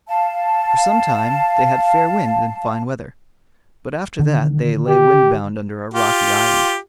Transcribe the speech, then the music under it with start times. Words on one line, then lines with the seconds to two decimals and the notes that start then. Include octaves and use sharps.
For some time they had fair wind and fine weather, but after that they lay wind-bound under a rocky island.
0.08 F5 A5
4.19 D3 D#3
4.88 G4
5.94 F4 G4